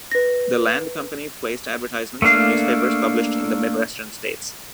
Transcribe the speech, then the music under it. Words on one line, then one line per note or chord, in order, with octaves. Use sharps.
The land company placed advertisements in newspapers published in the Midwestern states.
B4 A#6
A3 A#3 D4 F5